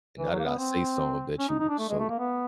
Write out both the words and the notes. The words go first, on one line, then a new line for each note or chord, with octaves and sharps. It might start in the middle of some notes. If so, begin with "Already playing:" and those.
and now that I say something that you so
E3
F#3
A#3
B3
C4
C#4
D#4
D#4
D4
A3
G#3
A3
A#3
B3